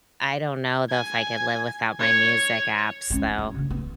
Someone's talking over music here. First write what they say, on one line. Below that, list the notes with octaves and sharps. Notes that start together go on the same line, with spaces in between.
I don't know, though, if I could live without my music apps, though,
G#5
C#5
G#3 C#4
F#3
C#3 D4
B3